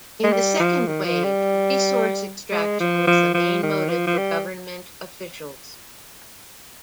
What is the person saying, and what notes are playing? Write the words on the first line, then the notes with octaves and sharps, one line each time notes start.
In the second wave, resource extraction was the main motive for government officials.
G#3
G3
F3
D#3
F3
G3
G#3
F3
F3
F3
D#3
F3
F3
G3